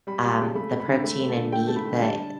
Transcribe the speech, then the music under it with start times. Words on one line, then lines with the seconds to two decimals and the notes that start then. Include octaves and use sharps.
um, the protein in meat, the,
0.07 G3 B5
0.24 G3
0.31 A5
0.40 C#3
0.55 A3 B5
0.72 A3
0.80 B5
0.88 D3
1.04 A3 B5
1.20 A3
1.28 A5
1.36 D3
1.52 A3 G5
1.67 A3 A5
1.76 B5
1.85 D3
2.00 G3 A5
2.17 G3